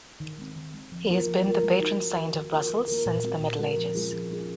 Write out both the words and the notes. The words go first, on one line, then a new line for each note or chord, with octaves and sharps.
He has been the patron saint of Brussels since the Middle Ages.
D#3
G#3 C4
D#3
G#3 C4
F3
A#3 F4 A#4
F3
A#3 F4 A#4
G#3
D#4 F#4
G#3
D#4 F#4
D#3
A#3 F4 A#4
D#3
A#3 F4 A#4
A#2
G#3 C4 F#4 A#4
A#2
G#3 C4 F#4 A#4
F3
G#3 C#4 F4 G#4
F3
G#3 C#4 F4 G#4